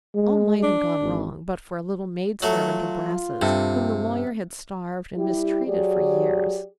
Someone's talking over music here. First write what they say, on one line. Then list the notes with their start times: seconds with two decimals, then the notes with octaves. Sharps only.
All might have gone wrong but for a little maid-servant of Brass's, whom the lawyer had starved and mistreated for years.
0.15 G#3
0.63 D4
1.01 G#1
2.42 F#3 A3 F4
3.42 G2 C3 A4
5.17 G3 E4 G4
5.67 F#3 G4 G#4 D5